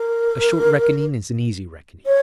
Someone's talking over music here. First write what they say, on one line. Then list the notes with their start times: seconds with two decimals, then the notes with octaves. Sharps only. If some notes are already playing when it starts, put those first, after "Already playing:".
A short reckoning is an easy reckoning.
Already playing: A#4
2.06 C#5